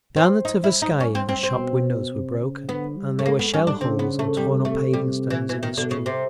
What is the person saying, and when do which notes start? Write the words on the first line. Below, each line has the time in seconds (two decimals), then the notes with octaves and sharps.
Down the Tverskaya the shop-windows were broken, and there were shell-holes and torn-up paving stones in the street.
0.16 C4
0.45 D#4
0.64 E4
0.82 D#4
1.00 C#4
1.15 C4
1.29 C4
1.43 C4
1.56 B2
2.12 C3
2.40 C#3
2.69 D3 B3
2.97 G3
3.19 A3
3.26 G#3 A#3
3.39 B3
3.52 G3 C#4
3.67 D4
3.81 C#3 C4
3.99 B3
4.19 A3
4.37 C3 G3
4.65 A3
4.93 G3
5.30 E3
5.49 B2 E3
5.63 D#3
5.77 B2 D3
5.91 C#3
6.06 C3